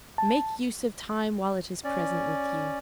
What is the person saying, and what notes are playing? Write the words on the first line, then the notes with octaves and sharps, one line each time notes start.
Make use of time while it is present with you.
A5
C#4 D5